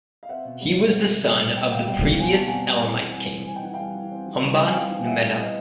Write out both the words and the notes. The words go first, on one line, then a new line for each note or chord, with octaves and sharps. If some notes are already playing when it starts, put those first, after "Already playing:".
He was the son of the previous Elamite king, Humban-Numena.
F5
C4 E5 F#5
B2
G3
B2
C4
B2
G3
B2
C4 G5
F#5
B2 F5 G5
G3 F5 G5
B2
C4 G#5
B2 A5
G3 F#5 G#5
B2
C4
E3
G3
E3
C4 G#5
G5
E3 F#5
F5 G5
G3
E3
C4
E3
G3
E3
G#5
C4 F5 G5
E3
G3 E5 F#5
E3
B3 D#5 F5